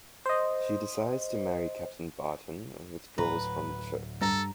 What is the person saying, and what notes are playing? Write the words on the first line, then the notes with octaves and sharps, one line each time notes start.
She decides to marry Captain Barton and withdraws from the show.
C5 D#5
D2 A2 F#3 B4 A#5
G2 A4 A#5